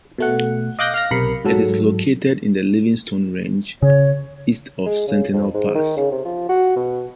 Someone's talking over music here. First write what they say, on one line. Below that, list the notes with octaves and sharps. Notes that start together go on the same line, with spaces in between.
It is located in the Livingstone Range, east of "Sentinel Pass".
B2 A3 F#5
D#5 F5 D6 F#6 G6 A#6
F5 F6 A#6
B1 C3 A#4 B5 C7 C#7
G#2 F#3 A4
C#3 C#5
G#3
C#3
F2
G#2
D#3
C#3
C3
F3
F#4
B2